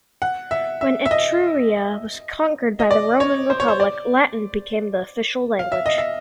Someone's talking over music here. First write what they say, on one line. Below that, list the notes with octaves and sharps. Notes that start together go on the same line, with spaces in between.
When Etruria was conquered by the Roman Republic, Latin became the official language.
F#5
E5
E5
E5
D#5
D#5
D5
C#5
C5
C#5
C5
D5
F5
E5
D#5
E5